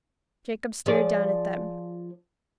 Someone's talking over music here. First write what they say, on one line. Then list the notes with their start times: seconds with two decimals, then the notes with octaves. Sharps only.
Jacob stared down at them.
0.86 F3 G#4 D5